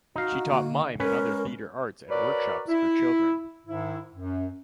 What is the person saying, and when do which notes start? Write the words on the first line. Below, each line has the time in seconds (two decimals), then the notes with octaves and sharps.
She taught mime and other theatre arts at workshops for children.
0.16 D#4 F#4 F5
0.51 D3 A#3
1.00 G#3 C#4 A#4 B4
2.09 F#4 A#4 B4 C#5 D5
2.68 E4
3.67 G#2 D#3 E4
4.15 F#2